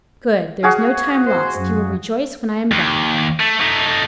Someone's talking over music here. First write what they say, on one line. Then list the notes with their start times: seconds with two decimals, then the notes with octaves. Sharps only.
"Good; there is no time lost,--you will rejoice when I am gone."
0.63 F#4 G#4 F5
1.26 C5
1.60 F#2
2.72 D#2
3.40 A3
3.60 A3 D#4